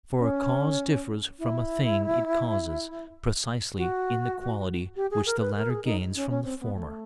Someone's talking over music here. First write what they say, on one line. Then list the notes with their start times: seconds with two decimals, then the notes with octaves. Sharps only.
For a cause differs from a thing it causes, precisely in the quality which the latter gains from the former.
0.20 C#4
1.39 E4
3.77 F#4
4.96 G4
5.11 G#4
5.26 A#4
5.40 B4
5.56 A#4
5.70 G#4
5.85 D#4
6.15 C#4
6.30 C#4
6.44 C4
6.60 B3
6.75 A3